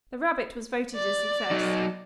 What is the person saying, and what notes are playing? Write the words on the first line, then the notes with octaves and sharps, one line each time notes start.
The rarebit was voted a success.
D5
F#3 D#4